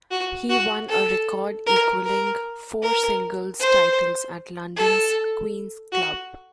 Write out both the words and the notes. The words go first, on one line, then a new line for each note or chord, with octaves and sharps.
He won a record-equalling four singles titles at London's Queen's Club.
F#4
F#4
A4
A#4
A#4
A#4
C5
A4
F#4